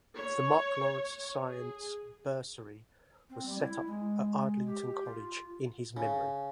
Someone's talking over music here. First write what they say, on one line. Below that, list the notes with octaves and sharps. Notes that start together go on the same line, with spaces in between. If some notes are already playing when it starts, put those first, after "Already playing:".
The Mark Lawrence Science Bursary was set up at Ardingly College in his memory.
C#5
G#4
C4
G3
E4
G#3
G4
F4
C#3